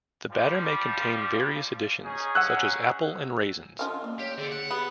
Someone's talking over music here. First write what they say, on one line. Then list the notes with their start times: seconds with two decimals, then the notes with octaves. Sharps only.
The batter may contain various additions, such as apple and raisins.
0.30 F3 G3
2.04 C#4 D#4 G#4
2.35 F#5 E6 F#6
3.79 F3 C#4 D#5 F5
4.04 A#3 D5
4.19 G4 C#5
4.38 D3 G#4
4.51 F#5
4.71 B3 G4